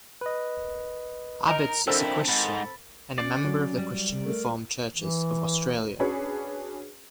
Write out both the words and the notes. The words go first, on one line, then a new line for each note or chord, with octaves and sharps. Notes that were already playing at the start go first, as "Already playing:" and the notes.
Abetz is a Christian and a member of the Christian Reformed Churches of Australia.
B4 D#5
D#4 A#4 D#5 D7
F2 C4 D4 E4 A4 A#4 C5
G#2 B5 A6
C#4 D5 C7
F#3
G3
A3 A#4
E3
C#4 D4 F#4 G#4 B4 C#5